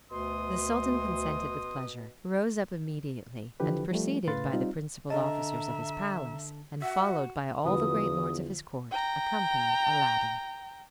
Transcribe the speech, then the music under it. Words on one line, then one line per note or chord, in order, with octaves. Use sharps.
The sultan consented with pleasure, rose up immediately, and, preceded by the principal officers of his palace, and followed by all the great lords of his court, accompanied Aladdin.
D2 B2 C6 D#6
D3 E3 F3 G4 B4
F3 G3 A3
A2 C#3 B4 F5 C6 A6
G3 C4 D#4 F4
D3 D#5 E5 A5 A#5
F#4 E5 F#5
E2 D3 F3 F#4 B4 D#6
G5 A#5